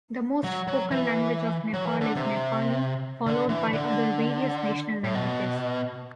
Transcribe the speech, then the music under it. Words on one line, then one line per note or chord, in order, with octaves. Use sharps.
The most spoken language of Nepal is Nepali followed by other various national languages.
F#3
F#3
E3
F#3
E3
D3
C3
D3
E3
D3
A2
B2